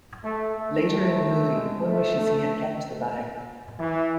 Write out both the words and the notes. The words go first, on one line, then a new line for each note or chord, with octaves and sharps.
Later in the movie, one wishes he had kept the bag.
A3
A3
G#3
A3
A3
E3